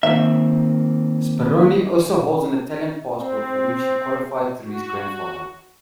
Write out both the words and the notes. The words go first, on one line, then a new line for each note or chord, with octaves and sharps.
Speroni also holds an Italian passport, for which he qualified through his grandfather.
D#3 A#3 C4 E5
C4
F#4